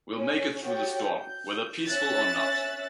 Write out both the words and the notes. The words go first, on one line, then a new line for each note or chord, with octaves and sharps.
We'll make it through the storm, whether peaceful or not.
C#4
F#4 G4 A4 C#5 G5
G6
C#4 E5 E6 F#6 A6